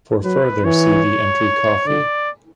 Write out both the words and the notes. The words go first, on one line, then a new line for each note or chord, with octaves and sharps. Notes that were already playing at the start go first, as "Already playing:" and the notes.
For further see the entry Coffee.
F#3 B4
E3 C#5
D3 D5